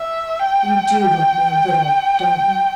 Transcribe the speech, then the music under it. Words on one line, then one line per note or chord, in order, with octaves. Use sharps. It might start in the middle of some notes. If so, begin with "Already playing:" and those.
You do love me a little, don't you?
Already playing: E5
G5